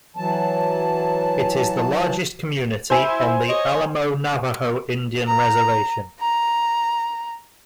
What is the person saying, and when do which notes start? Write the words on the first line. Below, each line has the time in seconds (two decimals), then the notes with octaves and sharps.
It is the largest community on the Alamo Navajo Indian Reservation.
0.17 E3 F#3 A5
2.90 E4 C5 G#5
3.48 C#5 D#5
5.27 A#5
6.21 A#5